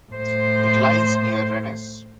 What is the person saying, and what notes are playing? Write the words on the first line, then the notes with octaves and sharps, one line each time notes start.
It lies near Rennes.
A2 C5